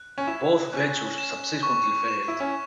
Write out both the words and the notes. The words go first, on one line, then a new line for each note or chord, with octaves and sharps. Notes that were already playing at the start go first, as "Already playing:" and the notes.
Both ventures subsequently failed.
Already playing: F#6
C#4
E4 E7
C#4 F#6
E7
C#6
E7
E4
C#4